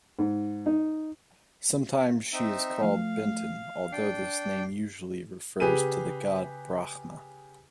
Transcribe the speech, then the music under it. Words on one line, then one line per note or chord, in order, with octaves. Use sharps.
Sometimes she is called Benten although this name usually refers to the god Brahma.
G#2
D#4
C4 D#4 E5
F3 A3 F5
D4 G5 C7
C#3 G4 G#4 B4 D#7